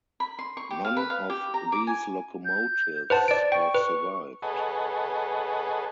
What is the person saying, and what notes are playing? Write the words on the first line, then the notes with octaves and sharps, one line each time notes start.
None of these locomotives have survived.
B5
C6
C#6
G4
F5
B4
F5
G4
A#5
D6
G#5
G6
B4 C5 F#5 A5
D5 A6 D7
G5 C#6
B4
G#4 A4 B4 C#5 D#5 F#5